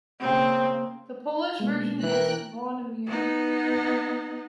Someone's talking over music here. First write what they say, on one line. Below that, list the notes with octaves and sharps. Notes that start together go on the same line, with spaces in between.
The Polish version is Bronimir.
C#3 A#3 C4
B1 G#3 A#3 B3
E3 A#4 G5 F#6
B3 D#4